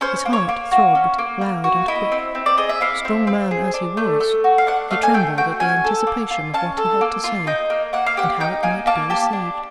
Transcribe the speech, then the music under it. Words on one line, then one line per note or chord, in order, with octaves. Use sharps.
His heart throbbed loud and quick. Strong man as he was, he trembled at the anticipation of what he had to say, and how it might be received.
C#4 C5
A#3
C#5
A#3
F#4
C#4
A#3
A#3
F#4
E4 D#5
C4
C4
D5
G#4 D#5
E5
E4 F5
C4
C4
G#4
D4
A3
A3
F#4
F5
D4 F#5
A3 F5
G#5
A3 G5
F#4 G5
C#4 G#5
A4
A#3
F4
C#4 A5
A4
A#3
F4
D#4 G5
A#3
A#3 F#5
F5
G4 F#5
D#4 G5
A#3 G#5
A#3 A5
G4 A5
D4